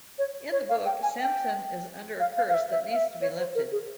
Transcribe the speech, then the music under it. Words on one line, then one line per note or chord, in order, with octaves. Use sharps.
In the book, Samson is under a curse that needs to be lifted.
C#5
C#5
F5
G5
G#5
G5
F5
F5
F5
E5
E5
F5
E5
C#5
C5
A#4
G#4